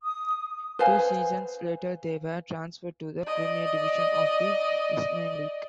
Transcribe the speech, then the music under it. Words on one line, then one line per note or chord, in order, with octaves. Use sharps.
Two seasons later they were transferred to the Premier Division of the Isthmian League.
D#6
B4 C5 F5 G#5
D5 D#5